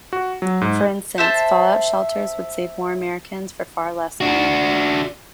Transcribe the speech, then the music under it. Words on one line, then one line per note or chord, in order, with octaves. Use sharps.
For instance, fallout shelters would save more Americans for far less money.
F#4
F#3
G#2
C5 E5 A5
D4 F#4